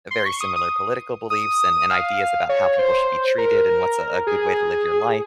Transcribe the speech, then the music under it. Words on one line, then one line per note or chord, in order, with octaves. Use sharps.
very similar political beliefs and and ideas about how people should be treated and what's a a good way to live your life,
C6
C#6
D#6
D#6
D#6
F5
C#5
C5
A#4
G#4